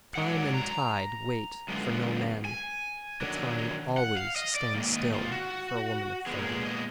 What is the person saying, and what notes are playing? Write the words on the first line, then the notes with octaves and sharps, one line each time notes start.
Time and tide wait for no man--But time always stands still for a woman of thirty.
G#2 F#3 D4 F#5
A#5
F#2 D3 G#3 B3 F4
G#5
D#3 F#3 D4
F#5
F5
D#5
D5
G#2 D#3 A#3
D#5
F4
F#4
A#2 G#3 B3 G#4
A#4
G#4
D#5